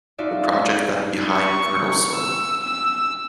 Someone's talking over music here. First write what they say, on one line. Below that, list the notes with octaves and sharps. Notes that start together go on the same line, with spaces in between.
The project left behind fertile soil.
D#4 F4 F#4 D5 E5
C#6
E6
E6